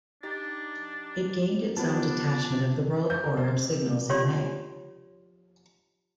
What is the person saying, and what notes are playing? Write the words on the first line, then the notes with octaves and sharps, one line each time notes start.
It gained its own detachment of the Royal Corps of Signals in May.
D4 D#4 G4 A6
F3 G3 B3 D4 A5 B5
G6
A#4
C5
C3
F4 G4 C#5 D5 C6